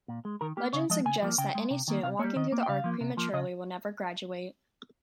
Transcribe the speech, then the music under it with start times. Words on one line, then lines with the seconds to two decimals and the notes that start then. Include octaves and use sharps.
Legend suggests that any student walking through the arch prematurely will never graduate.
0.08 A#2
0.25 G#3
0.41 D#3 A#4
0.57 A#3 G4
0.73 C#3 C#5
0.90 F3 G#3 D#5
1.05 C#3 G#5
1.22 F3 A#3
1.38 C#3 G5
1.55 G#3
1.71 C3
1.88 D#3 A#3
2.03 C3 F5
2.19 A#3 C#5
2.24 G3
2.36 D#3 D#5
2.52 A#3
2.63 G5
2.69 C#3 F5
2.84 F3 A#3
3.01 C3
3.17 F3 A#3
3.33 C#3 D#5